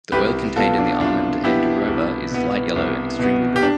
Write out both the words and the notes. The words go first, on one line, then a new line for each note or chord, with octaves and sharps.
The oil contained in the almond andiroba is light yellow and extremely bitter.
C2 G4 B4
B2 B3 F4 A4
D4 F4
C2 D4 F4
B2 B3 E4 G4
C2
B2 B3
C2
B2 B3
G4
D4